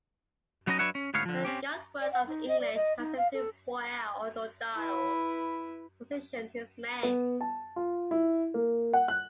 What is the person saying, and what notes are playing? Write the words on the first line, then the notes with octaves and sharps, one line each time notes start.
When he got word of the English passing through Boyle, O'Donnell positioned his men.
F#3 B3 C#4 D#4 D#5
F#3 D4 B4 C#5 E5 F#5
C#4
D2 G#2 B3 C#5 F5
D3 F3
C4 C#4 G4
D5
F#5
D#4
D#5
D5
D#5
D#4
F5
A4
E4 B4
B3
A5
F4
E4
A#3
F#5
F#6